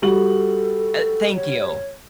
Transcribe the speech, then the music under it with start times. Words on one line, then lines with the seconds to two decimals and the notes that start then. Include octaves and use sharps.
Uh, thank you.
0.02 G3 F#4 A4 F#7
1.35 C#5